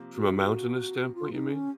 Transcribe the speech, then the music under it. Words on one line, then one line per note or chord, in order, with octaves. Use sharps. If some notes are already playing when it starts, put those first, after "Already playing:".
From a mountainous standpoint, you mean?
Already playing: C3 F3 A#3
F#4
F4
D#4
C#4